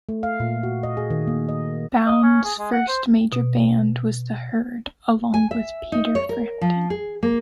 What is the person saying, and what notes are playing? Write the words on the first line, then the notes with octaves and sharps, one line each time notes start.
Bown's first major band was The Herd, along with Peter Frampton.
A3
F5
A#2
F#4
D#5
G#4
D#3
A#3
D#5
D#5
C#4
G#4
G#3
F#5
C5
B2
G#5
E5
D#4
C#5
A#4
F3
G#4
A#3